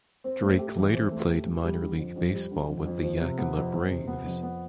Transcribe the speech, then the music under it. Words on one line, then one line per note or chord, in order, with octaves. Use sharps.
Drake later played minor league baseball with the Yakima Braves.
C4
A3
G4
E3
C4
A3
G4
E3
G3
D3
F2
F2
G3
D3
F2
F2
F3
C3
B3
F2
F3
C3
B3
F2
B3